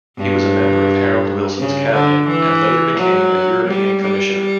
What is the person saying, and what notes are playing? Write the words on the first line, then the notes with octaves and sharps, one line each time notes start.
He was a member of Harold Wilson's cabinet, and later became a European Commissioner.
G2
C#3
D3
E3
F#3
G3
G3